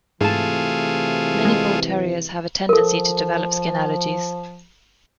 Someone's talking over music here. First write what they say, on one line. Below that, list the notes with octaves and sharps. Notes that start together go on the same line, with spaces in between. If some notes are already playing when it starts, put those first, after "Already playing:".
Many Bull Terriers have a tendency to develop skin allergies.
G#2 C3 E3 A3 F4 G#4 A5
G#3
F3 A4 A#4